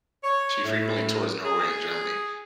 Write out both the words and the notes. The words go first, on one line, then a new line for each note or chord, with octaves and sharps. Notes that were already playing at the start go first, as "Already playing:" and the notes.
She frequently tours Norway and Germany.
C#5
A2
G#4